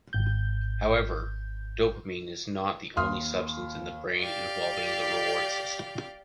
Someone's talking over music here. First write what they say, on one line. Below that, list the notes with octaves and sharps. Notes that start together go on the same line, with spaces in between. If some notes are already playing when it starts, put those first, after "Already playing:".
However, dopamine is not the only substance in the brain involving the reward system.
G#1 G6
D#2 C6 D#6 F6
G4 D5 F5 G5